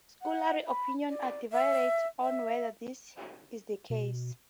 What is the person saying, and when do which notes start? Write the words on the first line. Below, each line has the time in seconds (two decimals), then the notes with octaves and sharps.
Scholarly opinions are divided on whether this is the case.
0.22 F#5
0.67 B5
1.09 D5
1.52 E5
2.22 E5
3.90 B2